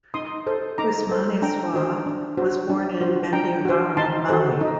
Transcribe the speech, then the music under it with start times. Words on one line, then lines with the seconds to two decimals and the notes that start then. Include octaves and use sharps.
Ousmane Sy was born in Bandiagara, Mali.
0.14 D#4 C6 D#6
0.47 A4 C5
0.78 D#4 A#5 D6
1.10 A4 C5
1.42 D4 G5 A#5
1.74 F#4 C5
2.06 D4
2.37 F#4 C5
2.69 D4
3.01 F#4 C5
3.33 D4 G5 A#5
3.65 F#4 C5
3.97 D#4 A5 C6
4.29 F#4 A4 C5
4.61 D#4